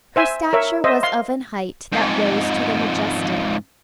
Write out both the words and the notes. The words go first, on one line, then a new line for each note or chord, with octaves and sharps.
Her stature was of an height that rose to the majestic.
C5 E5 G#5
A#4 C#5 E5
C5 D#5 E5
F5 C6
F2 G#2